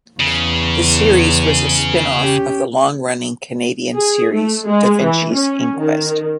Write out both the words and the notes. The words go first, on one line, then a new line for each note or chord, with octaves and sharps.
The series was a spin-off of the long-running Canadian series "Da Vinci's Inquest".
E2 C#3
C#4 G4
G#4
A3
G#3
E3
C#4
D#3